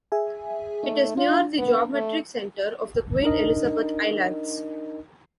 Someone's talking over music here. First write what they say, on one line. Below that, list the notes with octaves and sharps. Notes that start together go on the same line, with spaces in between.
It is near the geometric centre of the Queen Elizabeth Islands.
G#4 E5 G#5
A3 D#4
D4 F4
B3
A3
D4 D#4 A#4 D#5